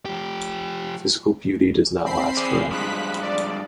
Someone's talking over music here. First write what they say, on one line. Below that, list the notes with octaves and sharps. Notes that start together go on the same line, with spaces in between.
Physical beauty does not last for ever.
F3 G4
C4 B5 C7
G#4 D5
G2 F3 G#3 B5 F#6 B6
D5